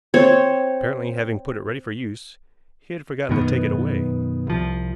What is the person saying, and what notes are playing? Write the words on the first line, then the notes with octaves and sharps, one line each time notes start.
Apparently, having put it ready for use, he had forgotten to take it away.
C4 C#5
F#2 B2 D#3 B3
C2 F3